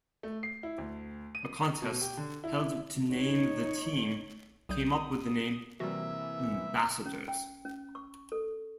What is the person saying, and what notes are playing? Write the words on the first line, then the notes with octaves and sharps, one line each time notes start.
A contest held to name the team came up with the name Ambassadors.
A3
C7
E4
D2
D#7
B2
G4
D3
E4
D#4 C#5
B1 G3 D#6 G6
C3 E3 G3 A#3 F#4 E5
C#4
G5
C#4
C#6
A4